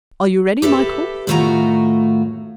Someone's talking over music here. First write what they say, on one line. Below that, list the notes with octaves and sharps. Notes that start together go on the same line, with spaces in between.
"Are you ready, Michael?"
G4 A4 B4 E5
A2 D#3 A3 F4 F#4 A#5